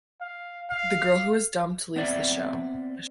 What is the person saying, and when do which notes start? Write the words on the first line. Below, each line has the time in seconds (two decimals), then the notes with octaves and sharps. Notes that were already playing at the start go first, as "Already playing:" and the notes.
The girl who is dumped leaves the show.
0.21 F5
0.70 F5
1.96 B3 C4 D5 E5